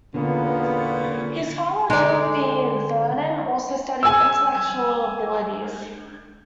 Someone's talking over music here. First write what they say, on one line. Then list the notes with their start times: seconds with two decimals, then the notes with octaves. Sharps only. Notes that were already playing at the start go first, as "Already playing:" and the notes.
His father Philip E. Vernon also studied intellectual abilities.
0.14 E2 A#2 D3 A#3 B3 C#4
1.90 D3 G#3 D#4 D5
4.03 G#5 E6